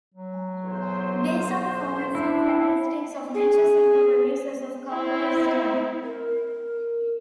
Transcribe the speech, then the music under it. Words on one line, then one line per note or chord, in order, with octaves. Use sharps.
These are the formats and track listings of major single releases of "Cowboy Style".
F#3
B1 E2 C5
D4 E4
G#4
C4 E4
A#4